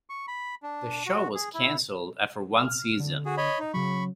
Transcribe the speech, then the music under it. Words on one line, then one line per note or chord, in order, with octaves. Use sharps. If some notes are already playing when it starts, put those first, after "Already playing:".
The show was cancelled after one season.
C#6
B5
D4
F#4
G#4
E4
F6
D3
F#4 G#4
C#5 D#5 B5
D#4
C#3 F#3 B5 C#6